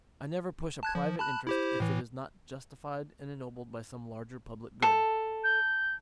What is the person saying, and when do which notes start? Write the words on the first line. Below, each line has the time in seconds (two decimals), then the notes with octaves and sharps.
I never push a private interest if it is not Justified and ennobled by some larger public good.
0.83 A5 F#6 G#6
0.95 F3
1.19 A5 B5 F#6
1.47 E4 G4 C5
1.80 A2 E3
4.82 A4
5.44 G6